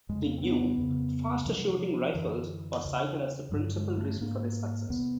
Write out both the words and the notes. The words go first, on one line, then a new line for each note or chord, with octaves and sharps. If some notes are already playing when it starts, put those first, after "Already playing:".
The new, faster-shooting rifles are cited as the principal reason for their success.
F2 C#3 G#3
A#3
C4
B3
B3
F2 C#3
E2 C3 F3
F#3
F3
F#2 D3 E3
E2 C#3
G2 D3 F#3
G#3
A3
G#2 A#3
E2 C3 B3